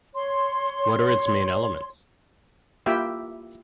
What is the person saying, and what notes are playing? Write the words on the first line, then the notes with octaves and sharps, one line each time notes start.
What are its main elements?
C#5 C6
A#3 E4 F4 G4 E5 G5